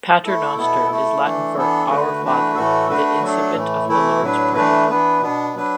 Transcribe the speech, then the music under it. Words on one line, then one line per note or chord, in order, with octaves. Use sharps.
"Pater noster" is Latin for "Our Father", the incipit of the Lord's Prayer.
A3 E4 A4
B2 B3 E4 A4
A3 E4 A4
E3 A3 D4 A4
E3 B3 D4 A4
D3 A3 F#4 B4
E3 A3 D4 F#4 B4
A2 E3 A3 F#4 A4
A3 D4 F#4 B4
F#3 A3 D4 A4
A2 E3 A3
E3 A3 E4
A2 F#3 D4 B4
E3 A3 D4 B4
E3 B3 D4 B4
B2 B3 D4
F#3 D4 B4